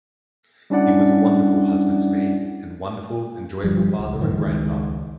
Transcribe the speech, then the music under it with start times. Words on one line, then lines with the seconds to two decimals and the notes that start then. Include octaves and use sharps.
He was a wonderful husband to me, and wonderful and joyful father and grandfather.
0.70 G3 C#4 D4 E4 D5 F#5
3.63 G1 G2 F3 G3
3.99 C#2
4.19 B1 G2 D#3 E3
4.38 C#2 D#3 G#3